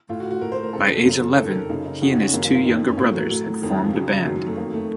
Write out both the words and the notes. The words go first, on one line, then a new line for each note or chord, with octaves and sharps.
By age eleven, he and his two younger brothers had formed a band.
A2 F4
F#4
F#4
A2 A#4
C5
A#4
F2 C#3 A4
F#2 C#3
F2 C3 D#3 A4
A#4
A#4
F#2 C#3 D#4
D#4
F2 C#3 F#4
D#4
C#4
F#2 D#3 A#3
A#3
F4
F2 D#3 D#4
C#4
A2 A#3
F#3
A2 F#3
F2 D#3
F3
F2 C#3 F#3
F#2 D#3 F#3
F#3
A3
F2 D#3 A#3
A3